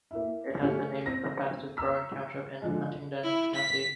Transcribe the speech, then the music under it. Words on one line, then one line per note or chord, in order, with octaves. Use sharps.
It has been named the fastest growing township in Huntingdon County.
A#3 E4
A3 C#4 G4
C4 A#6
A#5 E6 B6
D3 F3 G#3
E4
B6